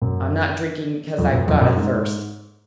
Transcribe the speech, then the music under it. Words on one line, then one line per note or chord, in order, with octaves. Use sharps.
"I'm not drinking because I've got a thirst."
F#2
F2
F#2
F2
F#2
G#2